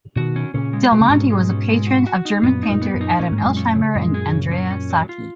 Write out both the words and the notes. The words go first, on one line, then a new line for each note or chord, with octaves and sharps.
Del Monte was a patron of German painter Adam Elsheimer and Andrea Sacchi.
B2 D#3 F#4
C#4
A#2 C#3 C#4
G#3
B2 G#3
C#3
G#2 B2 C#4
G#3
C#4
G#3
F#4
F#4
D#4
F#2 A#2 B3
D#4
F#2 A#2
B3
F#2 A#2
D#4
A#2 C#4
G#2
G#3
F#2 A#2
C#4
C#3
F#2 A#2 G#3
G#4
C#3
C#4
C#4
F#3
F4